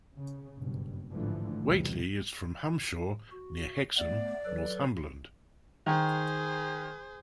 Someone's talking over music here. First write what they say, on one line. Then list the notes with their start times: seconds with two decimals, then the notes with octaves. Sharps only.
Whately is from Humshaugh, near Hexham, Northumberland.
0.17 C#3
0.58 F#1 G2 B2
1.10 A1 G#2 D3 E3 F3 A3
1.62 B1 E2 A2 C3 G3
3.31 F#4
3.97 A3 B3 D5
4.45 F#3 A4 B4
5.86 D#3 G#4 C5